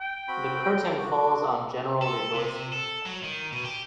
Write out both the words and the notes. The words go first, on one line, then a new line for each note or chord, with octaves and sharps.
The curtain falls on general rejoicing.
G5
C4 F#4 B5
F#4 D6
A4
C3
A4
F#3
D#3
B2
G4